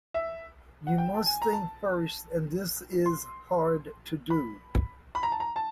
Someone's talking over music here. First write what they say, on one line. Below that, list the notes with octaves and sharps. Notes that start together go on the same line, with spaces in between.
You must think first and this is hard to do.
E5
F#5
G5
A5
G#5
A#5
A5
C6
B5
B5
A#5
A5
A#5
A5